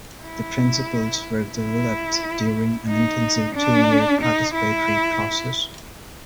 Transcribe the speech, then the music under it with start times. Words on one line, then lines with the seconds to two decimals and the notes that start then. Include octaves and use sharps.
The principles were developed during an intensive two-year participatory process.
0.24 E4
1.56 E4
2.88 D#4
3.55 D4
4.21 D#4
4.54 E4